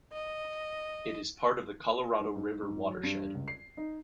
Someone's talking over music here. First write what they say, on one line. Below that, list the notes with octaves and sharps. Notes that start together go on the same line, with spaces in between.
It is part of the Colorado River watershed.
D#5
G#2
G#2
G#2
F#3
G2
C#2
C7
D#4